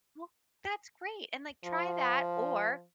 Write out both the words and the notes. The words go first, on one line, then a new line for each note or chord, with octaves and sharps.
Well, that's great. And, like, try that, or
F3